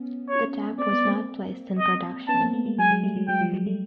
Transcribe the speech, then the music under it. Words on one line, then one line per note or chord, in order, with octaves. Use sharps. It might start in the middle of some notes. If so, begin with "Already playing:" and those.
The type was not placed in production.
Already playing: B3 C#4
C#5
C4 D5
B3
A#3 C4
D#5
B3 C#4 A5
A#3 C4
A3 B3
G#3 A#3
F#3 G#3 G#5
F#3 G#3
G3 A3
F#3 G#3
F#3 G#3 G5
F3 G3
F#3 G#3
G3 A3